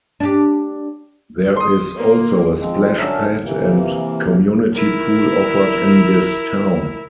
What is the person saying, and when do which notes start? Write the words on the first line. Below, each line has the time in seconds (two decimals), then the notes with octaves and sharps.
There is also a splash pad and community pool offered in this town.
0.20 D4 G4
1.56 C6 D#6
1.98 A#3
2.59 F3 G#3 C4
2.98 D3 F#3 C#4 A#4 E5 A5
3.43 C3 E3 A#3
4.73 E4 A#4